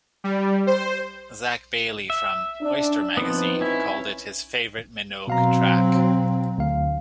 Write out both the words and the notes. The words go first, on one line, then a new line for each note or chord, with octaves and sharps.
Zac Bayly from "Oyster Magazine" called it his favourite Minogue track.
G3
C5
E5
C#4 D4
F3 B3 C4 D#4 B4
C#4 E4
B2 F#3 C4 F5 A#5
D2 F5